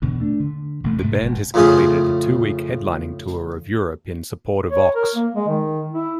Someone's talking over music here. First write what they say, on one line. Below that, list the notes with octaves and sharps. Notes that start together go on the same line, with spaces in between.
The band has completed a two-week headlining tour of Europe in support of "Ox".
E2 B2 D3
A3 D4
D3
A1 C3 A3
G#2 C3 G#3 A3
F1
F2 A2 C#3 F4 G#4 D#6
C#5
A#4
A#3
G#3
D#3
E4